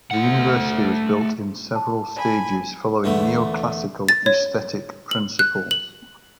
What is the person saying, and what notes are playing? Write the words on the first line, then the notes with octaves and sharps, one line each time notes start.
The University was built in several stages, following neoclassical aesthetic principles.
A3 F#5
A5
G#5 B5
E2 D3 A3
A6
C#5
F#7
F#6
F#7